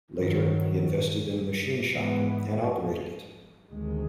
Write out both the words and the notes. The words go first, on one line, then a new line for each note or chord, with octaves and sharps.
Later, he invested in a machine shop and operated it.
G2 D#3 F#3
G#2 E3 G#3 B3
D2 C3 D#3 G#3